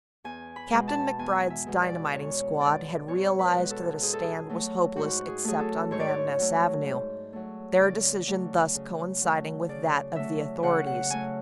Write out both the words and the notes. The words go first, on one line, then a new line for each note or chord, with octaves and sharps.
Captain MacBride's dynamiting squad had realized that a stand was hopeless except on Van Ness Avenue, their decision thus coinciding with that of the authorities.
E2 G#5
B5
B2 G#3
A5
E2 G#5
E5
B2 G#3
D5
E2 C#5
B2 G#3 D5
E2 C#5
B4
B2 G#3
A4
G#2 G#4
A4
G#4
F#3 A3
G#2 F#4
G#4
F#3 A3 G#4
A4
G#2 C#5
D5
C#5
F#3 A3
G#2
F#3 A3
C#3 D5
F#3 A3
C#3
F#3 A3
C#3 D5
F#3 A3 E5
C#3 F#5
F#5
F#3 A3 G#5